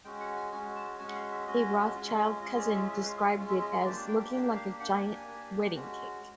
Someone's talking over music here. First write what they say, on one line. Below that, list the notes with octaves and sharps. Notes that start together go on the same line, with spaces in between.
A Rothschild cousin described it as: "looking like a giant wedding cake".
G#3 C#4 F#4 G5
F#5
G#5
G#3 C#4 F#4 G#5
A5
G#3 C#4 F#4 G#5
F#5
F5
E5
G#3 C#4 F#4 D#5
G#3 C#4 F4
G#3 C#4 F4 D#5
D5
E5
G#3 C#4 F4 E5
F5
E5
G#3 C#4 F4
E5
D#5
C#5
A#3 D4 G4 D5
G5
A#3 D4 G4 G5
F5
A#3 D4 G4 F#5
G#5
G#5
A#3 D4 G4
G#3 C#4 F#4